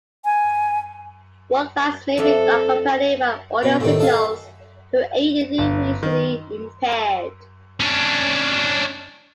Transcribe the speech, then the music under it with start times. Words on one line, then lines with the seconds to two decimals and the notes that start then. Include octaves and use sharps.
Walk lights may be accompanied by audio signals to aid the visually impaired.
0.25 G#5
2.17 F2 D4 A4 E5
3.63 B2
3.81 A2 C3 D#3
4.00 A4 D#5 F5 G#5
5.58 G1
6.03 D#3
7.80 C#4 D4